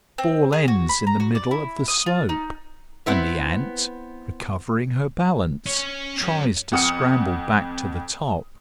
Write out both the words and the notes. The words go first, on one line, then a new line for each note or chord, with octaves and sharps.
The fall ends in the middle of the slope; and the Ant, recovering her balance, tries to scramble back to the top.
C4
G#4
F#4
B5
A#5
F#4
D5
E4
D#6
F4
D#4
B3 C4 E4 B4
C#4 C#5
F#3 C#4
F2 F#5 D#6 F6 C#7